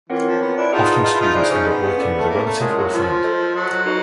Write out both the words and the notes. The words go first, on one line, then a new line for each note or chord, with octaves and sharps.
Often students end up working with a relative or friend.
E3 C4 F4 A#4 C#5 F#5
F3
B3
D4 E4
D#4 F4 G#4 B4 D#5 F#5 A5
D#4 F4
E4
D#4 F4
D4 E4 G#4 C5 F5 G#5
C#4 D#4
B3
C#4 E4 A4 D5
A3
A#3
A3
G#3 F4 A#4 C#5 F#5 A5
F#3
F3
F4 A4 C5 D#5
F#3
D#4 F#4 B4 D#5